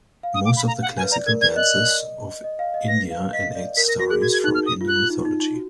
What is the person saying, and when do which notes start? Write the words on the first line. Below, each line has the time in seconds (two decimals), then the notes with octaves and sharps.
Most of the classical dances of India enact stories from Hindu mythology.
0.23 F5
0.34 D#6
0.45 D6
0.57 B5
0.67 A#5
0.82 F#5
0.97 G#5
1.01 B4
1.12 D5 A#5
1.26 A#4 G#6
1.41 D5 G#6
1.56 D#5 F#6
2.44 D#5
2.59 F5
2.74 D#5
2.88 B4 A#6
3.11 F5
3.33 D#5 B6
3.55 D5
3.77 A#4 B6
3.88 A#4 A#6
3.99 F#4 A#6
4.10 G#4 F#6
4.22 F#4 G#6
4.33 G#6
4.44 D#4 F#6
4.55 F6
4.66 D#6
4.81 F4
4.88 F#6
4.96 F4
5.10 D#4
5.25 D#4
5.40 D#4
5.54 F#4